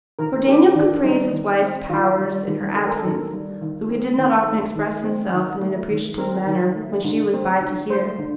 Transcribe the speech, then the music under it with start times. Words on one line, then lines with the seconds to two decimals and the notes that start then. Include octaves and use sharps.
For Daniel could praise his wife's powers in her absence, though he did not often express himself in an appreciative manner when she was by to hear.
0.19 D#3 A#4
0.47 C4 G4
0.76 D#3 D4
1.04 G3 D#4
1.32 D#3
1.62 C4
1.90 D#3 F4
2.19 G3
2.47 D#3
2.75 C4 A4
2.87 A#4
2.98 A4
3.05 D#3
3.33 G3
3.62 D#3
3.90 C4
4.18 D#3
4.47 A3
4.75 D#3
5.04 C4
5.33 D#3
5.61 A3
5.90 D#3
6.18 C4 A#4
6.46 D#3
6.76 A3
7.04 D3
7.33 C4
7.61 D3
7.90 A3 C5
8.19 D3